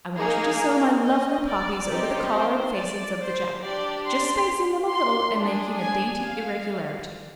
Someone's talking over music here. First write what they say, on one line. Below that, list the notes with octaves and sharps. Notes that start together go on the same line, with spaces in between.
I want you to sew my lovely poppies over the collar and facings of the jacket, just spacing them a little and making a dainty irregularity.
A#3 D#4 G#4 A#5
D#5
D5
C4 D#4 G4
C5
D5
C5
D4 G4 D5
C6
C6
D4 G#4
G#5
F5